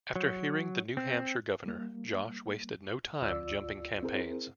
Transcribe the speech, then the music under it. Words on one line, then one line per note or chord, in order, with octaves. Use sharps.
After hearing the New Hampshire governor, Josh wasted no time jumping campaigns.
F#3
C4
G3 A#3
D2 F4 D5 E6
C4 E4 G#4 A#4 C5